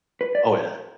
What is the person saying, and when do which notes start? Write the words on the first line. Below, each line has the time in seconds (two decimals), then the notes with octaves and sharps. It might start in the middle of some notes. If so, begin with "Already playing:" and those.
Oh, yeah.
0.21 B4
0.35 D5